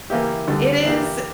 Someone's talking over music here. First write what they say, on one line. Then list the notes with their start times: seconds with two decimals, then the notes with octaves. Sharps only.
It is
0.10 E3 A#3 E4 G4
0.48 D2 D3 G3
0.85 E3 A#3 E4 G4